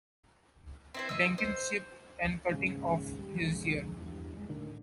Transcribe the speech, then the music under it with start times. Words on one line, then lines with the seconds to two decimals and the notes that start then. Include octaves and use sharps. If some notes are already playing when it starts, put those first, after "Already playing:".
Jenkin's ship and cutting off his Ear.
0.94 C4 E4 C5
1.09 D#5 E6
1.38 C5
2.50 D#2 G#2 C#3
3.19 G3
3.41 B1 F2 D3 G#3
3.97 E2 G2
4.37 D#1 C2 G#3
4.49 A2 D3 D#3